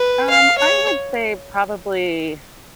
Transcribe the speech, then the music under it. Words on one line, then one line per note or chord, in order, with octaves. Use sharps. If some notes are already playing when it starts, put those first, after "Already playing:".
Um, I would say probably
Already playing: B4
F5
C#5